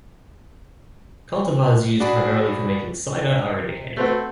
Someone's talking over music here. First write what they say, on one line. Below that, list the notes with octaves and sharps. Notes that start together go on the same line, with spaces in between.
Cultivars used primarily for making cider are indicated.
D4 F#4 G#4 D5 B5
D4
C3
A3 C4 F#4 B4